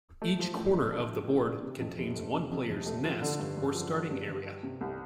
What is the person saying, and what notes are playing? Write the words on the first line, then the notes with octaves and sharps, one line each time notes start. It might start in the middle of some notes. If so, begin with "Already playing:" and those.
Each corner of the board contains one player's "nest", or starting area.
A3
F3
A2
D4
A3
F3
A2
D4
C3
F2
F1
A3
C3
F2
F1
A3
F3
D3
G2
G2
F3
D3
G2
G2
G3
C3
C2